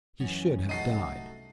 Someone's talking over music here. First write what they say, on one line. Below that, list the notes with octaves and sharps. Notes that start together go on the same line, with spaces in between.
He should have died.
F#2 E3 C#4
C2 A3 D#4 F#4 A4 C7 D#7